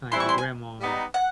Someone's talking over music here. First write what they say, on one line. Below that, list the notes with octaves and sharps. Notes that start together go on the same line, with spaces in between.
Uh, your grandma
E3 G3 C4 E4 C6
C#6
C6
G#5
G3 B3 D#4
F#5